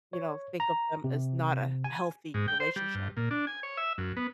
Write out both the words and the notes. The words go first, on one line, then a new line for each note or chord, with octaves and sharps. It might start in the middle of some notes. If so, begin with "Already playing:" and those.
you know, think of them as not a healthy relationship.
C#5
A#5
C3
G#5
G#2
G5
C5
G3
G2
A#2
D4
G#5
C#5
E5
F#2
B3